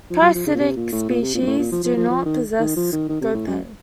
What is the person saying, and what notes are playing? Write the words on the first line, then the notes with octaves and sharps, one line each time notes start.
Parasitic species do not possess scopae.
F3
F#3
F3
C#3
A#2
C3
A#2
A2
A#2
C3
A#2
F#2
A2
A#2
F3
F3
F3
F3
D#3
D#3
F3
D#3
D#3
C3
A2
F#2